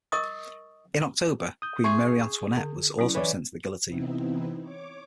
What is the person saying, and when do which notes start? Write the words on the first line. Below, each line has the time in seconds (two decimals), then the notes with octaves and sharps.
In October, Queen Marie Antoinette was also sent to the guillotine.
0.12 A#4 D#5 C#6 D#6
1.62 D#6 G6
1.84 G#4 E5 C6 C#6
2.57 D3
2.99 F#3 C#4 E4
3.15 E3 B4 C#5 D5
3.85 C3 E3 B3 C4 D#4 E4
4.61 C#5 D6